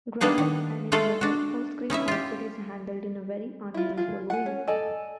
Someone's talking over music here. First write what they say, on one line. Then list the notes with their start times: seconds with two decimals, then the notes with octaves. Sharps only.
Graphics and in general all screen output is handled in a very unusual way.
0.21 G3 A#3 B3 D4 D#4 G#4
0.38 D#3
0.92 G#3 A3 F4 A4 F5
1.21 D4 F#4
1.90 C#4 D#4 E4 E5
2.08 F4 G4
3.74 E4 F4
3.97 F4 G#4
4.30 F#5 G#5
4.46 C#4
4.67 A4 D5 D#5 G#5